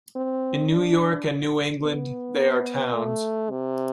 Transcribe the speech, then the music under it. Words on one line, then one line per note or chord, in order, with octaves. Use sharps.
In New York and New England, they are towns.
C4
D4
B3
A3
C3